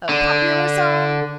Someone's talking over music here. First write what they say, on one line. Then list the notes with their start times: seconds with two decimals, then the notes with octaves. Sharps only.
"A popular song?"
0.09 D3